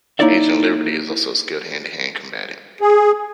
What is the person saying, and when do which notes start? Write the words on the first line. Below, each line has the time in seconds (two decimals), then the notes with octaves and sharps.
Agent Liberty is also a skilled hand-to-hand combatant.
0.19 A#3 D#4 E4 C#5 D5 E5
2.81 G#4